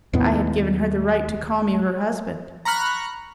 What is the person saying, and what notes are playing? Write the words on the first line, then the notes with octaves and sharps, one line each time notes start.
I had given her the right to call me her husband.
D#2 A2 B3
A#5 B5 C#6 F6 F#6